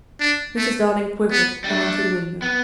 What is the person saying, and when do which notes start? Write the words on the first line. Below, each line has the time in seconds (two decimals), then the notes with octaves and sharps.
Mrs. Darling quivered and went to the window.
0.20 D4
0.57 A3
1.31 B3
1.64 G3
1.68 A3 D4
2.42 B3